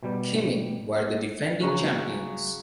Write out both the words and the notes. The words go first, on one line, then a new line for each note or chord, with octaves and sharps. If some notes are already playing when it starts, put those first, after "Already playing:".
Khimik were the defending champions.
B2 G3 G4
C#3 F#3